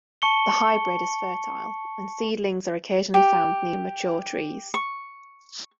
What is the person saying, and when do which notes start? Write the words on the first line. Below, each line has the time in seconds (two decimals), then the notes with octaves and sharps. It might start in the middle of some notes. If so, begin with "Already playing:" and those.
The hybrid is fertile, and seedlings are occasionally found near mature trees.
0.22 A5 C#6 C#7 G7
3.14 G4
4.74 C#6